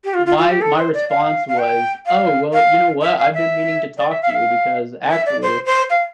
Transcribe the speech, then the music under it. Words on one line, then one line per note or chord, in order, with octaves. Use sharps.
my my response was, “Oh, well, you know what? I've been meaning to talk to you because, actually,
G4
F4
F4
F4
G4
A4
C5
D5
F5
F5
G5
F5
F5
E5
F5
E5
D5
E5
F5
E5
F5
E5
D5
C5
C5
F5